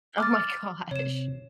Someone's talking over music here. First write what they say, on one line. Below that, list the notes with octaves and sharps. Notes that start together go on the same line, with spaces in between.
Oh my gosh.
D6 F6 A6
C3 C#5 E7